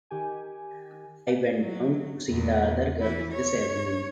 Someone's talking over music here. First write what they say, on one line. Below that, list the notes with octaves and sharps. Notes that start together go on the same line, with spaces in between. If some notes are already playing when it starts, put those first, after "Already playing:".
I went down to see the other girls this evening.
D#3 G4 G#5
F#3
E2 A#2
E3 E4
C#5